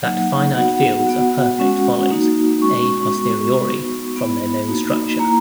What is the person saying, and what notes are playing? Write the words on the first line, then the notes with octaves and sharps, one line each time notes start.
That finite fields are perfect follows "a posteriori" from their known structure.
F#3 A#3 D#4 F#5
B3 D#4 F#4 F#5
B3 F#4
G#3 C#4 F#4
A#3 D#4 F#4
G#3 C#4 F#4 C#6
G#3 B3 F#4
B3 D#4 F#4
B3 E4 B5
A#3 D#4 F#4
A#3 E4 A#5